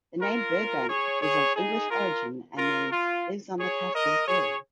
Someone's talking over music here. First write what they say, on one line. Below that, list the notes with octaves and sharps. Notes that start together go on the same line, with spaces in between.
The name Burbank is of English origin and means "lives on the castle's hill".
F4 A#4
G#4 C#5
G#4 C#5
D#4 G#4
F4 A#4
F4 A#4
F4
G#4 C#5
A#4 D#5
G#4 C#5